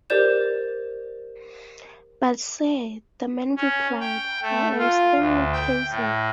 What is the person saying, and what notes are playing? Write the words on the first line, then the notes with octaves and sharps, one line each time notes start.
"But, sir," the man replied, "I "am" Stanley Casson".
G4 A#4 C5 D5 G6 E7
C#4
G5
A3
F4
D2
G5
A2